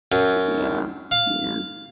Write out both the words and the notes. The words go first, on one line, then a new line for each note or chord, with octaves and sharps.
Yeah. Yeah.
F#2
F5